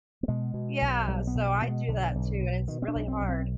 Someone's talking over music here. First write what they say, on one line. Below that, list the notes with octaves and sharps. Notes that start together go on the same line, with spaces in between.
Yeah, so I do that too, and it's really hard.
B3
B2 G#3
B2
B1
B1 G3
B3
B2
B3
B2 B3
G#3
B1 D3
B1
B2
B2 D#3
C4
D4
B1
C4
B1
C4